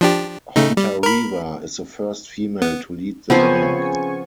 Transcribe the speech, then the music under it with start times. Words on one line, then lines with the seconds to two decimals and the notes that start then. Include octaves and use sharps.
Hontareva is the first female to lead the bank.
0.01 F3 D4 G4
0.56 C#3 A3 D#4
0.77 G3
1.03 A#4 B5
2.62 B3
3.30 C#3 F3 B3 C4 F4 C5 G#5 C#6